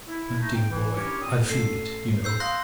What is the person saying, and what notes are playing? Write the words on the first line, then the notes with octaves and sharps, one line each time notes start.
My dear boy, I feel it, you know.
E4
A3 D#4
G5
E3
C#4 D4 E4 G4 A#4 C#5
A#2 C4 D#6
A1 A4 C7
E6 G6 C7
F5 C6 D#6 F#6 A#6